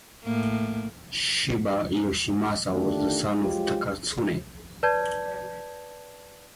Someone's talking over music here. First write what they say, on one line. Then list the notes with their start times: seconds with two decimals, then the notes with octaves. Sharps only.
Shiba Yoshimasa was the son of Takatsune.
0.24 A2 A#3
2.72 D3 D#3 A3 D4 F4 G4
3.42 F3 F#3 G#3 F4 G4
4.83 B4 D5 A5 G6 G#6